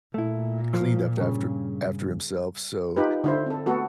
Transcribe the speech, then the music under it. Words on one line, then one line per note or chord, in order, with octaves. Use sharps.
cleaned up after after himself, so,
A#2 A3 E4
F3
G2 C#3
D#4 F4 G4 B4
D3 E4 C5
C4 A4
A3 B3 F#4 A4